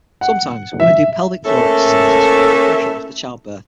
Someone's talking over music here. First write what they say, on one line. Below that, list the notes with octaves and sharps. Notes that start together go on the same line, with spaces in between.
Sometimes women do pelvic floor exercises for compression after childbirth.
F#5
E5
A3 A#3 C#4 E4 A4